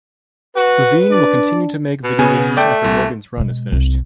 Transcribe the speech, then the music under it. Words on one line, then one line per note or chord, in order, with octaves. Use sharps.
Levine will continue to make video games after "Logan's Run" is finished.
F#4 B4
D4 D5
B2
C#3 B3 G#5
A3 D5 G5
C2
B2 G#3
C2